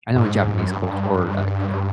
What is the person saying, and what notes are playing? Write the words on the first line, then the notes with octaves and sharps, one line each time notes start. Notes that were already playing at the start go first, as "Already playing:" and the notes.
I know in Japanese culture or, like, uh
G#2
F#2
G2